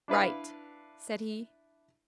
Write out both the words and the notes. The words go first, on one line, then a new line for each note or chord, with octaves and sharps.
"Write," said he.
D4 E4 B4 F5